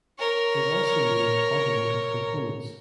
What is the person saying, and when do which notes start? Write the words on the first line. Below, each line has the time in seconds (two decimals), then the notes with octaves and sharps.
It also made automotive components.
0.19 A#4 C#5